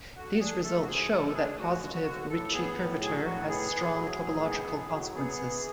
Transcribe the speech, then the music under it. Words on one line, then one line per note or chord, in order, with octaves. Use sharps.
These results show that positive Ricci curvature has strong topological consequences.
D3 F#4
D4 G#4
A3 A4
F#4
F#2 G#4
D3 A4
A4
D4 G#4
A3 F#4
F#2
F#4
D3
A2 A4
B3 G#4
A2
F#3 G#4
A2 F#4
B3 G#4
A2
F#3
A2
B3
A2
F#3
B3 G#4
E3